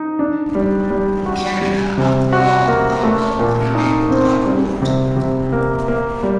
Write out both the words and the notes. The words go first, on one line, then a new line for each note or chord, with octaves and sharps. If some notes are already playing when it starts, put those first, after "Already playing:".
Canada, after all our work remained without a vote.
Already playing: D#4
D4
G3
G3
F#4
G3
C3
F#4
A#3
A3
A#2
D#4
C4
G3
C3
C3
A#3
A#3
G3